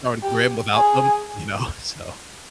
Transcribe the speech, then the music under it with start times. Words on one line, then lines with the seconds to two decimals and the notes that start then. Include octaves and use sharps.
darn grim without them, you know? So
0.23 G4
0.76 G#4